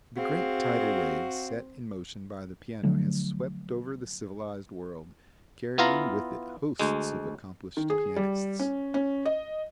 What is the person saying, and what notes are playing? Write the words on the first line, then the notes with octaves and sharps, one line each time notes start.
The great tidal wave set in motion by the piano has swept over the civilized world, carrying with it hosts of accomplished pianists.
C4 F#4 G#4 F5
D3 F3 F#3 A3
B3 E4 F4 F5 A#5
D2 G#3
D#3
G#4
G3
C#4
C#4
D#5